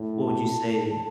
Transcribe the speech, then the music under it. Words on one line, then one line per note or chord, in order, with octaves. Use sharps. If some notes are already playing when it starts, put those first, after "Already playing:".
What would you say
Already playing: A2
A5